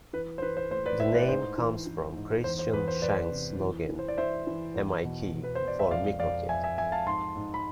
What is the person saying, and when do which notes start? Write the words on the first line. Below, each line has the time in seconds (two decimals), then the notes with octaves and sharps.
The name comes from Christian Schenk's login: MiK for Micro-Kid.
0.13 E3 B4
0.38 C5
0.42 E3 B4
0.57 C5
0.71 A2 C5
0.86 B4 D5
1.00 A2 C5 E5
1.14 B4 D5
1.29 G#2 C5
1.58 E3
1.87 E3
2.16 G#2
2.44 E2 C5
2.59 C5
2.73 E2 B4
2.88 C5
3.02 E2 B4 D5
3.31 C3
3.60 E3
3.89 E3
3.99 C5
4.08 D5
4.17 E3 C5 E5
4.47 E3
4.75 E2
5.05 B2
5.33 B2
5.44 B4
5.55 C5
5.62 B2
5.68 D5
5.79 E5
5.91 F2 D5 F5
6.20 F2 D5 F5
6.49 F2 E5 G#5
6.64 E5 G#5
6.78 F2 E5 G#5
6.92 F5 A5
7.06 G#2 A5 C6
7.36 G#2
7.54 B5